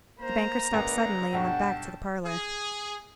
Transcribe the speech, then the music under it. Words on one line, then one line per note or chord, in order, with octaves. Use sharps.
The banker stopped suddenly, and went back to the parlour.
A#3 C5 A#5
C#2 A#3 B4 D5
B1 G2 F#5 G5 A5 C#6
G#4